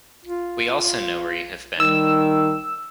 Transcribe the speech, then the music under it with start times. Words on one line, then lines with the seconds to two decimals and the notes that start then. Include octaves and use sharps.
We also know where you have been.
0.25 F4
1.80 D#3 G3 E6